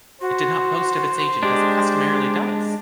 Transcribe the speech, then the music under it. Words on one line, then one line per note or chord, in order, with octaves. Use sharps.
It did not boast of its agent as it customarily does.
F#4 C5
G#3 D4 G4